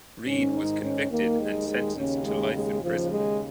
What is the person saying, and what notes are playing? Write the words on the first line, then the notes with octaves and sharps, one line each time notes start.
Reid was convicted and sentenced to life imprisonment.
G#2 D#3 C#4
D#4
C#4
D#2 D#3 A#3
G#3
G#3
D#2 C#3 C#4
G#3
G#3
D#2 C#3 F3
G#3